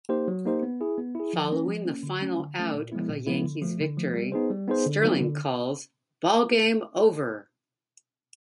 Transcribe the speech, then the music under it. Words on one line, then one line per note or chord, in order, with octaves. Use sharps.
Following the final out of a Yankees victory, Sterling calls Ballgame over!
A#3 D#4 G4 C5
F#3
A#3 D#4 G4 C5
B3
E4 G#4
B3
E4 G#4
F3
A#3 C#4
F3
A#3 C#4
D3
F#3 A3 C#4
D3
F#3 A3 C#4
A#2
F3 G#3 B3 E4
A#2
F3 G#3 B3 E4
D3
F3 A3
D3
F3 A3
G3
B3 D#4 G#4 C5
G3
B3 D#4 G#4 C5
D3
F#3 B3 D#4
D3